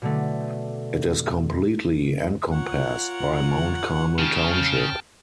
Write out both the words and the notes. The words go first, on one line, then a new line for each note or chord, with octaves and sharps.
It is completely encompassed by Mount Carmel Township.
B2 D3 A3
F4 A#4 C#5 F#5
C#3 G5 A5 F6